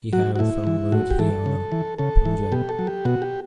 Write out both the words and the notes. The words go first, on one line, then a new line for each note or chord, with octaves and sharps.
He hails from Ludhiana, Punjab.
F#3 F#4
F#4
A2 E4
E3
A2 F#4
G4
E3 A4
C#3
E3
C#3 A4
E3
B2 G4
A4
F#3
G4
B2 F#4
G4